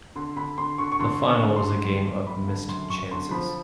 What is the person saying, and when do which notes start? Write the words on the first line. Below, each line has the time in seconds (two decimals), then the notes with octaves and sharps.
The final was a game of missed chances.
0.16 D3 C6
0.36 D3 B5
0.57 D3 C6
0.78 D3 C#6
0.92 C#6
0.99 D3 C6
1.21 D3
1.29 C#6
1.42 D3
1.56 C6
1.63 D3
1.85 F#2 C6
2.05 F#2
2.27 F#2 B5
2.48 D3
2.68 F#2 C6
2.89 F#2 C#6
3.11 D3 C6
3.31 F3 B5